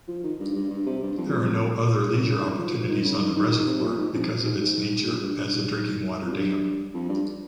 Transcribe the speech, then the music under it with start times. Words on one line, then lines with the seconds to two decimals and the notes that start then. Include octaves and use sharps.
There are no other leisure opportunities on the reservoir because of its nature as a drinking water dam.
0.08 F3
0.24 D#3
0.40 G2
0.56 G2
0.70 G2
0.86 C3
1.03 G2
1.17 F2
2.12 F2
2.26 C#3
2.42 D#3
2.58 F3
2.73 F3
2.89 D#3
3.05 C#3
3.20 D#3
3.36 D#3
3.52 D#3
3.67 C3
3.83 A#2
3.98 G#2
4.14 F2
4.44 G#2
4.60 G#2
5.06 A#2
5.23 G2
5.39 G2
5.53 G#2
6.27 F2
6.32 G2
6.94 F2
7.09 G2